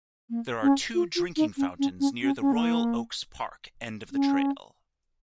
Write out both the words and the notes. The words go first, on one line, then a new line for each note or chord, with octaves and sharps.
There are two drinking fountains near the Royal Oaks Park end of the trail.
A#3
C#4
F4
F4
D#4
C#4
C#4
C#4
C#4
C#4
A#3
C#4